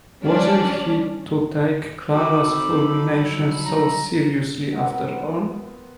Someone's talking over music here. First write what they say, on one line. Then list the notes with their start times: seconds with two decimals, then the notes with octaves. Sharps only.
Wasn’t he to take Clara’s fulminations so seriously, after all?
0.24 G3 C#4 D4 D5
2.12 D#4 F#4 A4 B5 D6
2.46 C4
2.92 F#3 G3
3.64 A#5
4.72 B3 C4 A#4 F#5